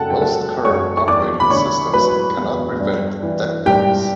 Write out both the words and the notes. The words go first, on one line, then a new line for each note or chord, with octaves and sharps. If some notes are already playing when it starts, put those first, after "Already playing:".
Most current operating systems cannot prevent deadlocks.
Already playing: F#2 C#3 A4 F#5 G5 A5
G5
F#3 A4 A5
F#2 C#5 C#6
C#6
E2 D5 D6
B5
D3 C#5 C#6
F#3 B4 B5
E2
G2
E3
G2 G4 G5